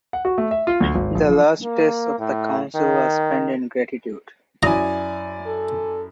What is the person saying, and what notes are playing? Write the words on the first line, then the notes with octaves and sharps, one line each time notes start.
The last days of the council were spent in gratitude.
F#5
F#4
A3
E5
F4
D2
G#1
A#1
F3
A#3
A2
D#3
F#2 E4 D5 G#5 A#5 D#6
A4